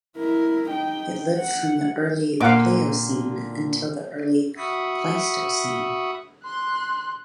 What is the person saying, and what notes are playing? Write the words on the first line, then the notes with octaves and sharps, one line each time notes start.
It lived from the Early Pliocene until the Early Pleistocene.
E4 A#4
D#4 G5
F#5
A#2 D3 F5 F#5 D6
F#4 E5 B5 C#6 D#6
C6 F#6